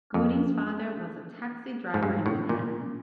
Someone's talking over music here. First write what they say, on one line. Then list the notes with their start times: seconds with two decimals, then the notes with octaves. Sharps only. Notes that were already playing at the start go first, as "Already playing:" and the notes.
Gooding's father was a taxi driver in Manhattan.
0.14 F2
1.94 G#2
2.03 G2
2.26 A2
2.49 A#2